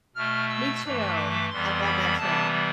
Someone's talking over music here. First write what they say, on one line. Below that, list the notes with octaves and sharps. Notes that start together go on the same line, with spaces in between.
Me too, I love that too.
B2 A3 F6
E6
G2 E3 A3
D6
F2 E3 G3 B3 C6
B5
C3 E3 G3 B3 A5